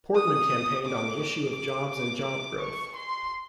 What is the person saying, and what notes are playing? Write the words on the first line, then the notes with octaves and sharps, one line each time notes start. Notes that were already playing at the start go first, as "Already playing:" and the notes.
Portman campaigned on the issue of jobs and job growth.
D#6
D6
D6
D6
D6
D6
C#6
C6